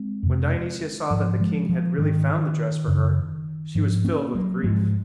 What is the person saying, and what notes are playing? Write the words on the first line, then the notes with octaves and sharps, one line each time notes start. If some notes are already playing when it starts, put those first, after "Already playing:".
When Dionysia saw that the king had really found the dress for her she was filled with grief.
Already playing: G#3 C4
F2 C3
G#2 F3
F3 G#3
F3
G#2 D#3
F#2 C#3
G#2 F3
A#3 C#4
F#3 A#3
G#2 F3 G#3